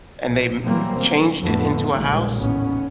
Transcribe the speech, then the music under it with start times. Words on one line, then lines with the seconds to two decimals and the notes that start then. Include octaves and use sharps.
and they m changed it into a house?
0.26 A#1 A#2
0.66 E3 F#3 G3 A#3 C4
1.00 B2
1.41 F2 A2 D3 A3 B3
1.94 A#1 D#2 A#2 C#3 G3 G#3
2.36 A1 D#2 B3 C#4